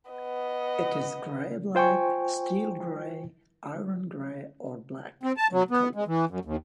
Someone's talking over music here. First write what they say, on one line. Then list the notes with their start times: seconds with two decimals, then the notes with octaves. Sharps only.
It is gray-black, steel-gray, iron-gray or black in color.
0.11 B3 D#5
1.75 F4 C5 G5 G#5 C#6
5.23 C4
5.37 A5
5.52 F#3
5.71 B3
5.95 G#3
6.07 E3
6.30 F#2
6.45 D#2